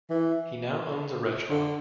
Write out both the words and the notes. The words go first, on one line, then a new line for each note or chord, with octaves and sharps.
He now owns a restaurant.
E3
D3